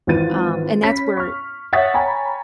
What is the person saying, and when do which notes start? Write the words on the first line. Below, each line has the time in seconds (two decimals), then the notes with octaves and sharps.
Um, and that's where
0.07 G#1 E3 F4 B4 A6 D#7
0.82 C#4 B5 B6
1.17 C#6 F6
1.73 C#5 E5 F#5 D#6 A6 B6
1.94 C#5 G5 G#5 A#5 B5